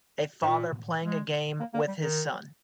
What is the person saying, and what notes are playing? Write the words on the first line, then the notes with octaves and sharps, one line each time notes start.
A father playing a game with his son.
G#2
A#2
G#3
A#3
A#3
G3
D#3